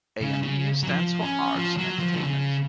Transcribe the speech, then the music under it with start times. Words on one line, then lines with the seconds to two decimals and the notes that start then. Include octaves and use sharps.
"A and E" stands for "Arts and Entertainment".
0.21 C#3
0.43 C#3
0.83 F#3
0.88 F3
1.22 C#4
1.55 F3
1.77 F#3
1.99 F3
2.14 D3
2.22 C#3